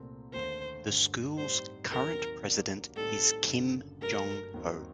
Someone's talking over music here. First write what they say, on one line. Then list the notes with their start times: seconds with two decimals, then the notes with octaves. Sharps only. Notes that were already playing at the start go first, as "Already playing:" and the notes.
The school's current president is Kim Jong-ho.
Already playing: C2 A#2 A3 C4
0.33 D#2 D3 A3 C5
0.85 G2 D3 A3 D4
1.38 A2 G3 C4 D#4 C5
1.91 D#2 D#3 F#3 C4 D#4 A#4
2.44 C2 C3 F#3 A#3 D4
2.96 A2 G3 C4 D#4 A4
3.48 F#1 F#2 D3
4.02 G2 F#3 A3 A#4
4.54 D#2 D#3 F#3 C4 D#4